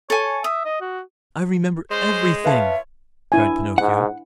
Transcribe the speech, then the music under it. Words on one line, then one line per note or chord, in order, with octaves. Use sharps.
"I remember everything," cried Pinocchio.
A4 C#5 G#5
E5 D#6
D#5
F#4
G#3 C#4 C5
F4 B4 C#5 E5 F5 A5
D4 E4 G#5
G#2 F#5